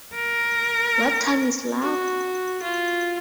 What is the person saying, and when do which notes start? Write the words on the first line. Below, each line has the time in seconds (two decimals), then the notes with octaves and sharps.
What Time Is Love?
0.15 A#4
1.82 F#4
2.62 F4